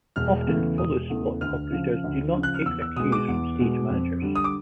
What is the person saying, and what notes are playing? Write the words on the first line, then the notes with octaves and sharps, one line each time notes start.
Often followspot operators do not take their cues from stage managers.
E1 F6
E2 C#3 E3 A3
E1 D#6
E2 C#3 E3 A3
D2 F6
C#3 F3
D2
C#3 F3
F#6
F6
E2 E6
E6
B2 G#3 D#6
D6
E2
B2 G#3
F2
D3 G3
D#6
D6